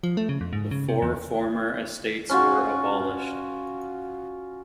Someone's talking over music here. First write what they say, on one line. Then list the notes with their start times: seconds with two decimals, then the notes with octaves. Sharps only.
The four former estates were abolished.
0.03 F3
0.17 A3
0.29 C#3
0.41 F2
0.53 G#2
0.71 C#3
0.89 C3
1.02 E2
2.29 C#4 F4 F#4